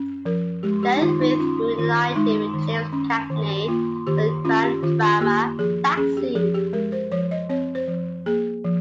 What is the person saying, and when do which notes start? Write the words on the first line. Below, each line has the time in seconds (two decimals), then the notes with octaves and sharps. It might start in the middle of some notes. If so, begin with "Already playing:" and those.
Del Ruth reunited with James Cagney for the crime drama Taxi!
Already playing: C#4
0.25 F3 A#4
0.63 G#3 G4
0.83 G4
0.96 D#4
1.01 D#3 F4
1.21 D#4
1.40 C#4 F4
1.78 D#3 F4
2.16 G#3 D#4
2.54 D#3
2.92 C#4
3.30 D#3
3.68 A#3 F4
4.07 D#3 G4
4.45 C#4 F4
4.64 G4
4.83 D#3 F4
5.02 F4
5.20 A#3 G4
5.59 F3 G#4
5.97 C#4 G#4
6.17 G4
6.35 F3 G#4
6.54 G4
6.73 G#3 A#4
6.92 C5
7.12 F3 C#5
7.31 D#5
7.49 C4 C#5
7.75 C5
7.87 F3
8.26 A#3 G#4
8.64 F3